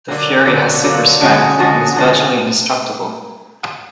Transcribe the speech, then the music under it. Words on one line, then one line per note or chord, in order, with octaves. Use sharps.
The Fury has super-strength and is virtually indestructible.
D3 F#3 A#3
D3 F#3 A#3
D3 F#3 A#3
D3 F3 G#3 C#4 F#4
D3 F3 G#3 C#4 F#4
D3 F3 G#3 C#4 F#4